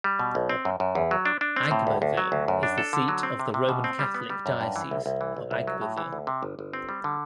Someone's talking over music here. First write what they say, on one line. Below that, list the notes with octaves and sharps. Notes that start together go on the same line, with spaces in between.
Agboville is the seat of the Roman Catholic Diocese of Agboville.
G3
B2
B1
C4
F#2
F#2
E2
F#3
D4
D4
C4
A2
D2
D2
F#3
D2
F#2
D4
A4
D3
F#3
C4
C3
C3
B2
C4
G3
B3
G3
F#2
G2
E3
C2
C2
E3
B1
C2
F#3
A2
E3
D2
C3
G1
G1
C4
G3
D3